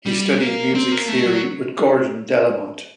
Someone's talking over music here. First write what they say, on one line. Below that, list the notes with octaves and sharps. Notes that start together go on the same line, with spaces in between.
He studied music theory with Gordon Delamont.
G3
A#3
C4
A#3
A3
F#3